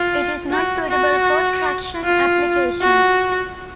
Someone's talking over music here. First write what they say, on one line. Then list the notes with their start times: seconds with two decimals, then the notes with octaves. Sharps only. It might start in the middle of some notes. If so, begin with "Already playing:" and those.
It is not suitable for traction applications.
Already playing: F4
0.51 F#4
0.89 F#4
2.04 F4
2.81 F#4